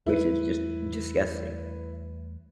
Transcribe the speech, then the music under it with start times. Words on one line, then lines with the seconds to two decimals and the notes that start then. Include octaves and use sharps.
Which is just, disgusting.
0.07 E2 G3 A3 E4 B4